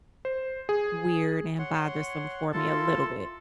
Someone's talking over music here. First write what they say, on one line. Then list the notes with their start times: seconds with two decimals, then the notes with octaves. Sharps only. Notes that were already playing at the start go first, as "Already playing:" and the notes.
weird and bothersome for me a little bit.
0.25 C5
0.69 G#4
1.59 C#5 F#5 C6
2.53 E4 F4 A4 A#4 C6